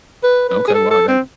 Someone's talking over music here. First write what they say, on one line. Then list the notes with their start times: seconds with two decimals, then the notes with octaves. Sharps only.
Okay, wow, that
0.23 B4
0.49 B4
0.68 G#4
0.74 A4
0.91 A4
1.08 C4